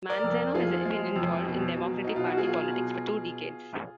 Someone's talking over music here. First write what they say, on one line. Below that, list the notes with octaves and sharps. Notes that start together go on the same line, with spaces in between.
Manzano has been involved in Democratic Party politics for two decades.
A#4 D5
F2
F3 F4 G#4
G#3
F2
B2
F#3
B2 D#4
F4
F#4
F#3 F4 G#4
B2